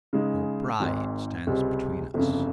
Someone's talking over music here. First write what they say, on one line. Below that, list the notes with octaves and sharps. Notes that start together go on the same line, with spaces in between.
"Your bride stands between us."
C#3 G#3 D#4
G#1 G#2 D#3
C#2 C3 G3
G1 F2 C#3